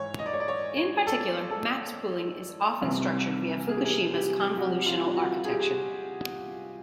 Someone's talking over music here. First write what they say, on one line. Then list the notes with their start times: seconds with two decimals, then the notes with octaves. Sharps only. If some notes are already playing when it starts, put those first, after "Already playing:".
In particular, max-pooling is often structured via Fukushima's convolutional architecture.
Already playing: G#2 E3 C#5
0.19 D#5
0.26 D5
0.33 C#5
0.40 D5
0.48 C#5
0.77 C#5
1.07 A4
1.50 A4
2.82 C2 C3 E3
3.69 G#4
3.77 G4
3.85 G#4
4.14 G4
4.57 F#4
4.86 F4
5.15 F#4
5.45 G#4
5.51 G4
5.59 G#4